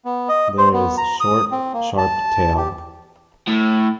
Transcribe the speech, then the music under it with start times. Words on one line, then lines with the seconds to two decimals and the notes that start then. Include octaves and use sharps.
There is short, sharp tail.
0.05 B3
0.29 D#5
0.58 C5
0.73 B3
0.97 A#5
1.20 D#6
1.51 C4
1.73 A#3
1.98 A5
2.57 G4
3.48 A2